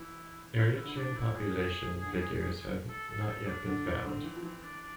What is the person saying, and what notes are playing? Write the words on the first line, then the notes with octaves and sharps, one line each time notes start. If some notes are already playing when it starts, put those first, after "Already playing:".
Eritrean population figures have not yet been found.
Already playing: E3 E4
E3 F4
E4
D3
E4
D4
E3
E4
F3 G#4
D3
E3
A4
A4
G#4
A4
D4
D3 D4
E3
D3 C4
E3
F3
E3 C4
D4
D4